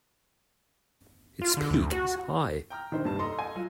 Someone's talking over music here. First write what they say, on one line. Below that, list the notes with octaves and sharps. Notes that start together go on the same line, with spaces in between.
Its peak is high.
F4
D3
D2
F#4
G5 A#5 F6
D3 D#3 C5
C2 G2 A5
A4 D#5 A#5 C6
G#5
F#3 F4